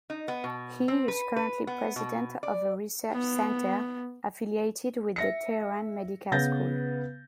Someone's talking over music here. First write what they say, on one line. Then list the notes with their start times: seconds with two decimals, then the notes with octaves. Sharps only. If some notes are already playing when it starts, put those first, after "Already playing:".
He is currently president of a research center affiliated with the Tehran medical school.
0.10 D#4
0.28 B3
0.44 B2
0.88 C4
1.08 B4
1.36 B4
1.67 B3
1.96 B2
2.43 D5
3.11 B3
5.16 E5 A#6 C#7
6.32 C#3 B3 G6 A6 A#6